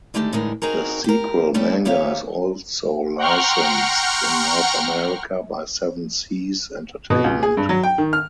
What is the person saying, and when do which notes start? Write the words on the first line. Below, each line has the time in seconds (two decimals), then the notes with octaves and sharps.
The sequel manga is also licensed in North America by Seven Seas Entertainment.
0.14 D3 D#3 G#3 A3 G4 A4
0.33 A2 D3 E3 G#3 D#4 A#4
0.62 C4 D#4 F#4 G#4 A#4
1.04 G4 A#4
1.54 G3 A3 C#4 E4 G4
1.85 D#2 A#3 G4 C#5 E5 F5
3.18 F#5 G5 A#5 C6 C#6 F6
7.10 B2
7.24 C#2
7.43 G#4
7.57 G2
7.69 F#3
7.84 G5
7.98 D#3
8.13 F6